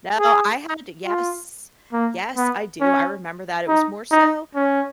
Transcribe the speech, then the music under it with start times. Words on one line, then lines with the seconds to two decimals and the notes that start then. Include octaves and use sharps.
No, I had yes, yes, I do. I remember that it was more so
0.18 G#4
1.05 F4
1.93 A#3
2.37 B3
2.81 C#4
3.68 D#4
4.11 D#4
4.55 C#4